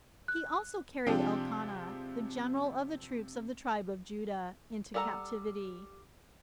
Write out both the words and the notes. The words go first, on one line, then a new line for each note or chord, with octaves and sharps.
He also carried Elkanah, the general of the troops of the tribe of Judah, into captivity.
F#6
C3 F3 G#3 C4 D4 G4
G3 D4 A4 F#5 A#5